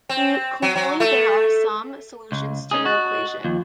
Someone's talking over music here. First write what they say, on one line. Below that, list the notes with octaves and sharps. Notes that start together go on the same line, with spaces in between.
Clearly, there "are" some solutions to the equation.
C4
F#3
F#3
A3
C#2
C#4 D#4 G#4 D#6
F#4 D#5 F#6 A6
D#2 F3 F4